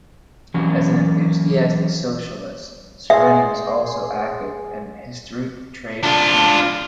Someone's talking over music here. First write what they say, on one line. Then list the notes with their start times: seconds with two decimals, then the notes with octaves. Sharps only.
As an enthusiastic socialist, Sereni was also active in the Histadrut trade union.
0.54 E3 F#3 A#3 C#4
3.10 G#4 C5 E5
6.03 D4 F4